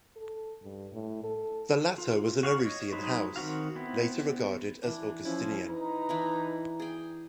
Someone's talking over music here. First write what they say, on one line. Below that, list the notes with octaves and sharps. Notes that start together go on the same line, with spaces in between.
The latter was an Arrouasian house, later regarded as Augustinian.
A4
G2
A2
A4
F4
F#4 F5 C#6
C#5 D#5
F#3 G#3 D#4 B4 C5
D#3 C4 F#4 F5
B3 C4 E4
E3 D4
F3 C#4 E4
D#4 B4 A#5
E3 D4 E4
G#4 G5